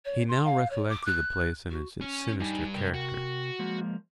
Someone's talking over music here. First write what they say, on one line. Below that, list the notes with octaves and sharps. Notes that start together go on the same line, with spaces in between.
He now recollected the place and its sinister character.
C#5
C6
F5
C#5
D6
F#6
F#4
C#4
G2 D#4 G#5
C3 A#4 G5
F#4
F3 G#3 A#3